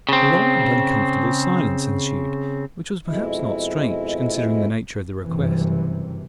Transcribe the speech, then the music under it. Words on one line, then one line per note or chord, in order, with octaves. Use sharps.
A long and uncomfortable silence ensued, which was perhaps not strange, considering the nature of the request.
C#3 C4
F2 B2 G#3 E4
F#1 G2 C3 E3